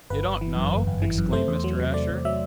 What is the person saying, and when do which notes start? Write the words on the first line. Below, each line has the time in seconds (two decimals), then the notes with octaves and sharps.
"You don't know!" exclaimed Mr. Asher.
0.10 G1 B4
0.26 G1
0.41 E3
0.56 F#2
0.72 G1
0.87 G1
1.02 E3
1.18 F#2
1.33 A3 C5
1.48 E2
1.64 F#3
1.80 C3
1.94 A3 D5
2.10 E2
2.25 F#3 E5